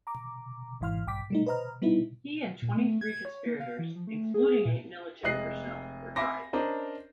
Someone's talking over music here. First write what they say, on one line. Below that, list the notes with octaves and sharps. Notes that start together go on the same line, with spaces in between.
He and twenty-three conspirators, including eight military personnel, were tried.
A#5 D6
G#1 G#2 E3 F5 C6 F6
A#1 G2 G5 D6 B6
G3 A3 D#4
B4 C5 D#5 A#5 F6
G3 B3 D#4 E4
A#2
A3
G#6
C#5
A#3
F5
E3
F3
A3
G#4
A#2
F1 G#3 D#5 F#6 C7
E5 G#5 B5 C6 D6 A#6
C#4 D4 A#4 C5 D#5